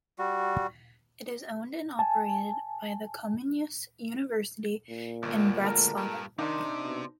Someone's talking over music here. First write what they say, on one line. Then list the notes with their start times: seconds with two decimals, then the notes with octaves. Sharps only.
It is owned and operated by the Comenius University in Bratislava.
0.19 G3 F#4
1.99 G#5 A5
4.89 A#2
5.23 G1 D2
5.64 G#3 A4 A#4
5.97 G2
6.39 C3 D#3 D4 D#4 C5
6.84 B2